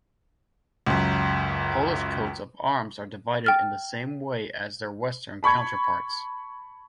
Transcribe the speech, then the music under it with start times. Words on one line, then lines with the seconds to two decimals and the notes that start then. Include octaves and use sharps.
Polish coats of arms are divided in the same way as their western counterparts.
0.86 C#2 F#2
3.44 G5 F6 A6
5.43 A5 B5 C#6 G#6